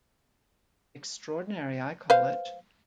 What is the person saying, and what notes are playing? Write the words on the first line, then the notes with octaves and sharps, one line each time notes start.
Extraordinary, I call it.
B4 C5 F5